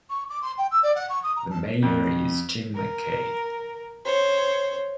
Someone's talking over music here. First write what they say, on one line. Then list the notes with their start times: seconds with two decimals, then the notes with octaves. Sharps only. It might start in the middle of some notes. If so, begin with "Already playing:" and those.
The mayor is Jim McKay.
0.10 C#6
0.29 D6
0.42 C6
0.58 G5
0.71 E6
0.83 D5
0.95 F#5
1.10 C#6
1.23 D#6
1.36 A#5
1.50 A5
1.82 F2
2.75 A#4
4.05 C5 C#5